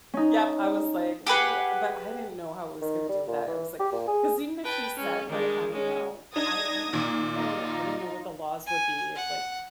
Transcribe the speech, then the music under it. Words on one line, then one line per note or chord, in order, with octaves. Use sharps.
Yup, I was like, "Ooh," but I didn't know how I was gonna deal with that, I was like because even if she said, like, I don't know. I I don't know, I don't know what the laws would be if, like
C#4 D#4
G4 G#4 B4 F#5
D#3
G3
A#2
E3
G4
A#2
G#4
B4 G5 A5
G#3 C#4
D#3 G3 G#3 D4
G#3 C#4
D4 D#4 D#6 G#6 A#6
A#2 D#3
D#4 F4
G#5
F#5